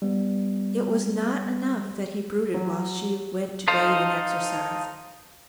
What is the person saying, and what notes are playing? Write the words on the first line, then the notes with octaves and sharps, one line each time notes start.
It was not enough that he brooded while she went to bathe and exercise.
G3 B3
F#3
D#4 A4 C5 F5